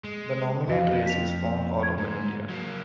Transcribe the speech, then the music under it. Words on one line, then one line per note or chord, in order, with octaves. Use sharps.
The nominate race is found all over India.
G#3
F2 F#4 D#5 F5
B6 F7
G#6
G#2
F#3 A#3